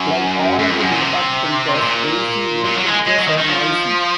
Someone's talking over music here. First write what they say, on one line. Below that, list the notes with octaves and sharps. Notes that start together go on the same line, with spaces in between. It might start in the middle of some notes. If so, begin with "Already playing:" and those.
Like all other impact printers, daisy wheel printers are noisy.
Already playing: F#2
F#2
F2
F#2
A#2
C3
C3
A#2
A#2
F#3
G#3
G#3
F#3
D#3
D#3
F3